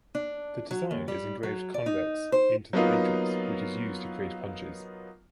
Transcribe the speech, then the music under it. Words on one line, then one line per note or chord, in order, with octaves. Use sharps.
The design is engraved convex into the matrix, which is used to create punches.
D4
F#3
D#2
G3
F#3
D5
D#4
C5
F#3 A#3 B3 D#4 F4